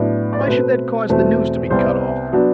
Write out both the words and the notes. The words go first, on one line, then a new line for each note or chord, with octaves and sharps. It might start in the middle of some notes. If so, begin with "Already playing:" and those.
Why should that cause the news to be cut off?
Already playing: A2 F#3 B3 D4
D5
C5
B2 A3 C4 B4
E2 B2 A3 C4
C2 C3 G3 B3 C5
F#3 B3 D4